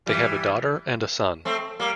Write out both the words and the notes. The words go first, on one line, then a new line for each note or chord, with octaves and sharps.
They have a daughter and a son.
E3 G3
A3 C4
G3 A#3